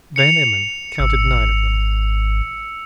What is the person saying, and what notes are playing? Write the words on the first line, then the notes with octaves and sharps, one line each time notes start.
Van Emmon counted nine of them.
C#7 F7
G#1 E6